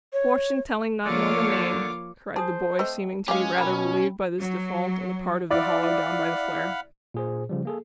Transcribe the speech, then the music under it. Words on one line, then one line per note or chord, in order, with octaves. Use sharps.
Fortune-telling not know the name!' cried the boy, seeming to be rather relieved by this default on the part of the hollow down by the flare.
C#5
D3 F3 A#3 F4 C#5 D6
G#4 C5 A5 D#6
A3 C4 D#5
G#3 C#4 G4 G#4 F5
B2 G3 A#3 G5 B5
F#3
E4 D5 F5 F#5 B5
A#2 G#4 C5
C#3 F3 G3
A#3 G#4 A4